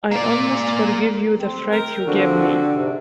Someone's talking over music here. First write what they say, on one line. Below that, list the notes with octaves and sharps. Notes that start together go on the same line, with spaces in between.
I almost forgive you the fright you gave me!
A#3 D5
C4
A#4 G5
D3 F3 C4 F#4
G#2 C3